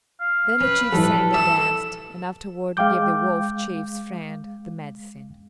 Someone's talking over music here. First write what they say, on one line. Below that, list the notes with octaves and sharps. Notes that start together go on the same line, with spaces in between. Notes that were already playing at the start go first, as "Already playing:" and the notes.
Then the chief sang and danced, and afterward he gave the Wolf chief's friend the medicine.
F5
C#4 B4
F2 A2 E3 G3 A4
D5 E5 E6 E7
G#3 F5 G5 D6 G6